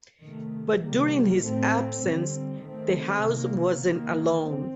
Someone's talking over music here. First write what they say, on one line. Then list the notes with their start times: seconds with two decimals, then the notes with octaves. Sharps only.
But during his absence, the house wasn't alone.
0.24 C3 D#3 A3
0.84 C3 D#3 G3 A#3
1.44 A2 A3 C4
2.04 D3 G3 C4
2.64 D#3 A3 C4
3.25 C3 D#3 A#3
3.85 D#3 A#3
4.45 C4